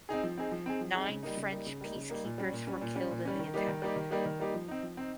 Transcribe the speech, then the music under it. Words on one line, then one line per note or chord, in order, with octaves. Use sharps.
Nine French peacekeepers were killed in the attack.
C4 D#4 G#4
F3
C4 D#4 G#4
F3
C4 D#4 G#4
F3
C4 D#4 G#4
C#3
G3 A#3 D#4
C#3
G3 A#3 D#4
C#3
G3 A#3 D#4
C#3
G3 A#3 D#4
A#2
G3 C#4
A#2
G3 C#4
A#2
G3 C#4
A#2
G3 C#4
D#3
G3 A#3 D#4 G4
D#3
G3 A#3 D#4 G4
D#3
G3 A#3 D#4 G4
D#3
G3 A#3 D#4 G4
F3
C4 D#4
F3
C4 D#4